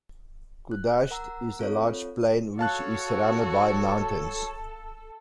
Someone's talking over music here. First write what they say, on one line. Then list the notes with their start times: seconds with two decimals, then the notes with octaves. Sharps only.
Kuhdasht is a large plain which is surrounded by mountains.
0.72 F#6
1.10 A#4 F#5 A#5 E6
1.59 C4 F4 A4 C#5
2.59 F#4 A4 C#5 F5 A5 F#6